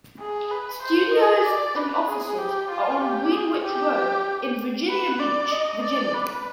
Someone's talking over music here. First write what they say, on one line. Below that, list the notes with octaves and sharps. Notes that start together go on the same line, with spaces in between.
Studios and offices are on Greenwich Road in Virginia Beach, Virginia.
G#4
B4
C5
D#5
D5
B4
G#4
G4
F4
G4
G#4
G4
B4
D5
D#5
D5
B4